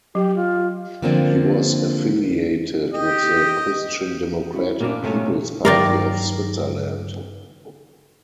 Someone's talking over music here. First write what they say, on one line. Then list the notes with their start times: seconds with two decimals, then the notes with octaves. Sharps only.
He was affiliated with the Christian Democratic People's Party of Switzerland.
0.15 F#3 G4
0.36 F4
1.02 D3 F3 A#3 C4 D4 F4
2.94 G4 D#5
4.54 C#4 E4 F#4
4.80 A#2 A#3 D4
5.03 C3 A3 C#4
5.65 G2 D#3 F#3 A#4 D5 F5